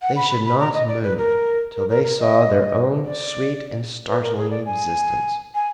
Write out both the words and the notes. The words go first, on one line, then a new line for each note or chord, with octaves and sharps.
They should not move till they saw their own sweet and startling existence.
F#5
B5
B5
B5
A#5
D#5
D5
B4
A#4
A#4
A#4
A#4
D#5
D5
B4
A#4
G#4
D5
G#5
G#5